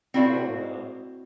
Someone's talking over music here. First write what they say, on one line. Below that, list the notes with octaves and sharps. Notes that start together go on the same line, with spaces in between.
Come on, now.
C4 E4 F#4 D5 F5